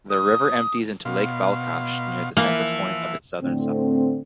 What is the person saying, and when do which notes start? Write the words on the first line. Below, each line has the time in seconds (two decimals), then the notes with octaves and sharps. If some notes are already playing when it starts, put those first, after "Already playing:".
The river empties into Lake Balkhash near the centerpoint of its southern side.
0.10 D#6
1.05 B2 F5 C6
2.37 E3 F3 A#3
3.42 A2 D3 A3 C4